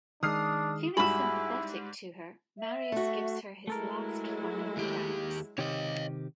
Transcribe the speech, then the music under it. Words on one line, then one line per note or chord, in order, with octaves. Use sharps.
Feeling sympathetic to her, Marius gives her his last five francs.
D#3 G#3 D4 D#6 F6 C7
G#2 G3 E4 F#4 G#4 B5 E6
E5
A3 F#4
F#3 G#3 A3 E4 A4 A#4
D#2 G4
C3 D#3 G4 C#5 D#5